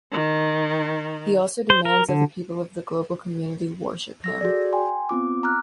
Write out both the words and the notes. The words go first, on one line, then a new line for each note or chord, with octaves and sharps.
He also demands that the people of the Global Community worship him.
D#3
C5
A#4
D3
A4 E6 A#6
F#4 G#4 D5
G5 G#5 C6
B3 C4 F4 D6
A#5 D6 F6 F#6